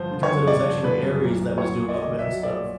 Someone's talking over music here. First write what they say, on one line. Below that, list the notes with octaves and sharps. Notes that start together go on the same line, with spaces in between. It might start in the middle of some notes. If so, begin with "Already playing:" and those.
it turns out it was actually, like, Ares that was doing all the bad stuff,
Already playing: G1 F3 C5
D3
C#5
F#2
G1 D5
F3
D3 B4
F#2
B1
B1
F#3 C#5
A#2
D5
B1 D#5
B1
E5
F#3
D5
A#2